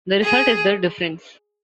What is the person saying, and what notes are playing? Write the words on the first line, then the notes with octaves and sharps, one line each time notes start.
The result is the "difference".
G#4